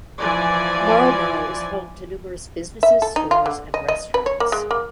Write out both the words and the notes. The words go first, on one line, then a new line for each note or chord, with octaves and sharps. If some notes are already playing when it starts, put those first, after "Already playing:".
Marlborough is home to numerous businesses, stores and restaurants.
E3 F3 D5 G#5
E5
A4
D#4
F4
D3
D#5
D#5
B4
C#5
A#3
G#3
A#3